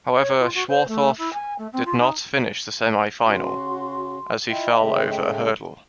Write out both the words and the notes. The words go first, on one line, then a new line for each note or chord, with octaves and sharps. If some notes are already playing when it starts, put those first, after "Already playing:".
However, Schwarthoff did not finish the semi-final as he fell over a hurdle.
C#5
F4
F#4
C5
A3
E4
G#5
A3
C4
F4
D#4
C#3 F#4 C6
E4 F4 D#5 E5 G5
C#3 G#3 A3